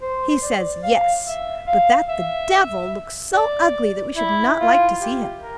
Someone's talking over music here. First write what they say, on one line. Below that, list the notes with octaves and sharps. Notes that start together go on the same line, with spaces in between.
He says ''Yes;'' but that the Devil looks so ugly that we should not like to see him.'
C5
C5
D5
F5
E5
F5
E5
D5
E4
F4
G4
A#4